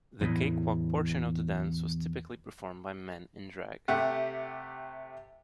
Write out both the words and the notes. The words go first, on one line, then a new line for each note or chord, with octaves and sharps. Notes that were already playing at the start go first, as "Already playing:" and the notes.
The cakewalk portion of the dance was typically performed by men in drag.
E2 A2 E3
C3 A3 G4 F#5